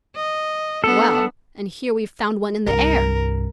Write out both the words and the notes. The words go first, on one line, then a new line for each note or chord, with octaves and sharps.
"Well; and here we've found one in the air!"
D#5
B3 D4 A4
C2 G2 A#4